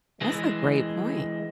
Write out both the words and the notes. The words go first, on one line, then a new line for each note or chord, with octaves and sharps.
That's a great point.
E3 G#3